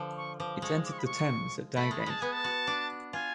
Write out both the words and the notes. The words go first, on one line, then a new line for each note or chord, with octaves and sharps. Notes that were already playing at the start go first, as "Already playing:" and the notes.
It entered the Thames at Dowgate.
Already playing: D3 F3
C#6
F3 D6
G#3 C#6
D6
C#6
B5
C#6
A3 B5
G#3
B5
G#3 A5
B3 G#5
A5
F#4
D4
F4 G#5